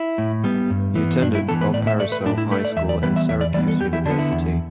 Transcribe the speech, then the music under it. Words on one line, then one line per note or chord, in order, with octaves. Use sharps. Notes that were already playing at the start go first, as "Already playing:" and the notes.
He attended Valparaiso High School and Syracuse University.
Already playing: E4
A2
G3 B3
G2
E3 B3
G2 D4
E4
E3 B3 A4
B4
A2 D5
E5
A3 D5
B4
A2 D4
E4
A3 B4
D5
E2 E5
D5
E3 G3 B3 B4
E5
E2 E5
D5
E3 G3 B3 D5
A4
E2 G4
E4
D3 B3 D4
E4
E2